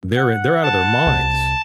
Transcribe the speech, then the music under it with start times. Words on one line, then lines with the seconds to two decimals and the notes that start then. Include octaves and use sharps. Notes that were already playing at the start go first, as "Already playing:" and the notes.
They're in they're out of their minds.
0.17 F#5
0.63 A5
1.07 C2